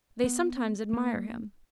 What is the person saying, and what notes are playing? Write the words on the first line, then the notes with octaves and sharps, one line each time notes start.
They sometimes admire him.
B3
A#3